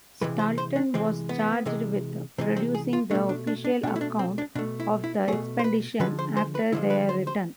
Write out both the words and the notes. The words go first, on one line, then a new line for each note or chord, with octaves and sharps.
Staunton was charged with producing the official account of the expedition after their return.
C3 E3 G#3 B4
C5
C5
D4
C3 E3 G#3 C4
B3
C3 E3 G#3
C3 E3 G#3 C4
C4
G#4
F4
B2 A3 D4
D4
D4
D4
B2 A3 D4
E4
D4
C4
D4
B2 A3 D4
E4
E4
B2 A3 G#4
C5
B4
D3 F3 G#3 B4
C5
C5
B4
D3 F3 G#3 E4
B4
C5
C5